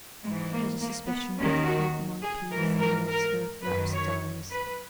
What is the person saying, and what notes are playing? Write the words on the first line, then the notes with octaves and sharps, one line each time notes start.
I had a suspicion, but held my peace and let her rhapsodize.
G#2 E3 G#3
A#3
A#3
B3
D#2 D#3 C#4
F#4
G#4
G#2 E3 A#4
A#4
A#4
F#2 D#3 B4
C#5
B4